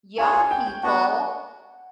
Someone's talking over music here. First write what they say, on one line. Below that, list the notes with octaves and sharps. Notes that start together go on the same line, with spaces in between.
young people
D4 F4 G#4 C#5 G#5
G#5
G5
G5
B3 D4 F#4 F#5